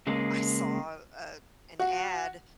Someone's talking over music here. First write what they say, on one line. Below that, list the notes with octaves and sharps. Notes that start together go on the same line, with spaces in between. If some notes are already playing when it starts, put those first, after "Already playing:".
I saw, uh, an ad
C#3 G#3 A#3
F#4